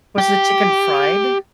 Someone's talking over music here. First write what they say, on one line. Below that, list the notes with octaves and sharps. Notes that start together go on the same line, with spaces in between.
Was the chicken fried?
G4